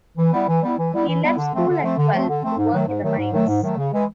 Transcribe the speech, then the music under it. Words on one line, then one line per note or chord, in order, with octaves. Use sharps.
He left school at twelve to work in the mines.
E3
G3 B3 E4
E3
G3 B3 E4
E3
G3 B3 E4
E3
G3 B3 E4
D3
F3 A3 C4
D3
F3 A3 C4
D3
F3 A3 C4
D3
F3 A3 C4
G#2
D#3 F#3 A3
G#2
D#3 F#3 A3
G#2
D#3 F#3 A3
G#2
D#3 F#3 A3
C#3
E3 G#3